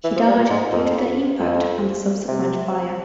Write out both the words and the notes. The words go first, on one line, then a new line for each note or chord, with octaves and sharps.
He died due to the impact and the subsequent fire.
E3
F3
G3
A#2
G#2
F2
F2
C3